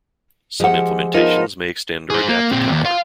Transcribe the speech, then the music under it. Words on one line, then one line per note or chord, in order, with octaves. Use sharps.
Some implementations may extend or adapt the tower.
F3 G#3 G4 E5 F#5
F3 B3 D#4 F4 A#4
G#4 C5
A#3
A#2 C4
D#2
F5 C6